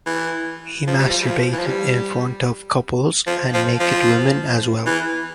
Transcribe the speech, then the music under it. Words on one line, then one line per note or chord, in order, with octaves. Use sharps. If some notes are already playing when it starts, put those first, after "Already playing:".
He masturbated in front of couples and naked women as well.
E3
F3
G3
F3
G3
F3
E3
F3
G3
F3
F3
F3
E3